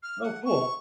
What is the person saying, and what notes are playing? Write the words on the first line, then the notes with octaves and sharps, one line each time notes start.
Oh, cool.
F6
F#5
C#6